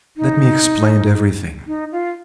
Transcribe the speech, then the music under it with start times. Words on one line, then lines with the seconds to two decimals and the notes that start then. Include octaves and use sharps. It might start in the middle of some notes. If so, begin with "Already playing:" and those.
Let me explain everything.
0.17 D#4
1.67 D#4
1.92 F4